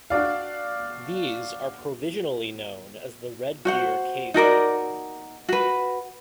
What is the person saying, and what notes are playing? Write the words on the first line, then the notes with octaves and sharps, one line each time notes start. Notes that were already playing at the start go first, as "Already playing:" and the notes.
These are provisionally known as the Red Deer Cave people.
D4 F#4 D5 F5
F#4 C5 F#5
D#4 F#4 A#4 D5
F#4 B4